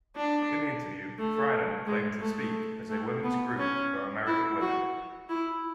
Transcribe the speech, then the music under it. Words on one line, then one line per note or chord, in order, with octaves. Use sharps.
In the interview, Friedan claimed to speak as a women's group for American women.
D4
A3
G#3
A3
A3
B3
C#4
E4
F#4
E4